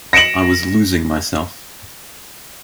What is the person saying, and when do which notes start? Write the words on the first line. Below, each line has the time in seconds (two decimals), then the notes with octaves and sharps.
I was losing myself.
0.13 A#6 C#7 D7 E7 F#7